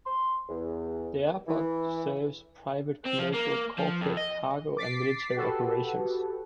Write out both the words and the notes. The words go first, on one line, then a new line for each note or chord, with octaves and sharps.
The airport serves private, commercial, corporate, cargo and military operations.
C6
E2
E3
C4
F3
A#3
F3
F2
D#5
D6 A6 B6 C7
F#4 G4 A4 B4